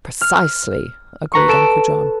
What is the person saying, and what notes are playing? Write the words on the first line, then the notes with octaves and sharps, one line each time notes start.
"Precisely," agreed Uncle John.
F6
B4 A#5 C#6
A4 D7 E7